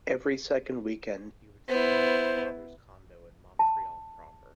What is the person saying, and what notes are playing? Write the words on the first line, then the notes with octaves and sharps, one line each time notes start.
Every second weekend he would stay at his father's condo in Montreal proper.
B3 E4 C5
A5